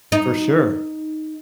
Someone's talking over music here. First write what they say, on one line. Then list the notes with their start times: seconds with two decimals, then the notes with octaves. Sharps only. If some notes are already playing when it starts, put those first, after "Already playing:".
For sure.
0.12 D#4